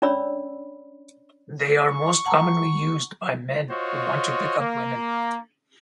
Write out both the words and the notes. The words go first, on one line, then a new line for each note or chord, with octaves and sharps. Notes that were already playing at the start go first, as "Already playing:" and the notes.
They are most commonly used by men who want to pick up women.
C#4 D4 C#5 D5 B5 E6
C#6
F#5 A5 A#5
F4 F#4 C5 C#5 D#5
A#3